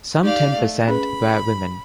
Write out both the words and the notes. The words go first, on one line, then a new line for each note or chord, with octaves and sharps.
Some ten percent were women.
D#4 G4 D5 F5
A3
C#4 G#4 B4 B5